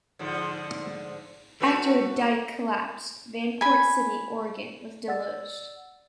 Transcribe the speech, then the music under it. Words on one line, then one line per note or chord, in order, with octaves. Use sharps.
After a dike collapsed, Vanport City, Oregon was deluged.
G#2 D3 F3
A3 F#4 B4
G#5 B5
D5 F#5 E6 A6